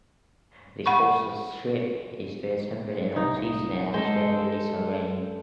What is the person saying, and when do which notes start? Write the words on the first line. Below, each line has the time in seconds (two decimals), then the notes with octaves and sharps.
The coastal strip is very temperate in all seasons and has very little rain.
0.86 F#5 B5 C#6
3.16 C2 D#4
3.94 G#3 A4 C5